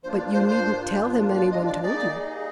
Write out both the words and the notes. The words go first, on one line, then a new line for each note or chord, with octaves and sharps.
"But you needn't tell him any one told you."
G2 F3 A#3 D4 F4 C5
D5
C5
C5
D5
D#5
D5
G3 A#3 D#4 G#4 D5 D#5